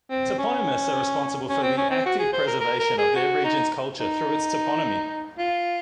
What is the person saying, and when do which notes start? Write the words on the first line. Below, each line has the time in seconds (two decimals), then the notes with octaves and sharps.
Toponymists are responsible for the active preservation of their region's culture through its toponymy.
0.10 C4
0.39 C#4
1.49 C#4
1.63 C4
1.78 C#4
1.91 C4
2.06 F#4
2.19 G#4
2.33 C5
2.47 A#4
2.60 A#4
2.79 A#4
2.98 G#4
3.16 F#4
3.45 D#4
3.99 D#4
5.38 F4